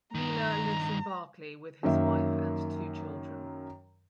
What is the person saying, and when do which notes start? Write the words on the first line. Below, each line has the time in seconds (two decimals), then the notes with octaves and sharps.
Miele lives in Berkeley with his wife and two children.
0.15 G2 D#3 A#5
1.83 F#2 D#3 A#3 E5